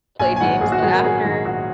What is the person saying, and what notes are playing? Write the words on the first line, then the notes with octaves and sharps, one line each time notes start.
played games, but after
A#1 G#5
G#5
G#2 D#3 F#3 F#5
A#1 G#4
F#4
G#2 D#3 F#3 G#4
A#4
A#1 G#4
G#2 D#3 F#3
A#1 F#4